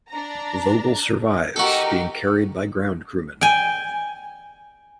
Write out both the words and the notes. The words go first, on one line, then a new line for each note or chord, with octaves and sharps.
Vogel survives, being carried by ground crewmen.
D4 A#5
D#4 F#4 G4 A4 A#4
G5 G#5